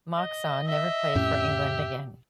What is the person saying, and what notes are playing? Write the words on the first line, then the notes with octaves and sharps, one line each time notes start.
Moxon never played for England again.
D#5
D#5 E5
F2 A2 C#4 G4